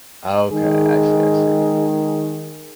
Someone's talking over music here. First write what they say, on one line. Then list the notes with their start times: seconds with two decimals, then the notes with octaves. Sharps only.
Okay. I see, I see.
0.52 D#3 G#3 G#4